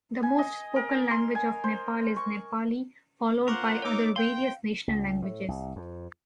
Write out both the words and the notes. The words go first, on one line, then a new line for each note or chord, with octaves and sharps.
The most spoken language of Nepal is Nepali followed by other various national languages.
G#5
D#5
A#4
C6
G#5
C5
C#6
F4 A#4 C5 F#5 C#6 D6
D#4 C#5 D6 E6
F5 G5 C6
C#2
A2
C2
F2